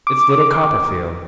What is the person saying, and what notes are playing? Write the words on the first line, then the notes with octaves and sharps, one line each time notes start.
'It's little Copperfield!'
D6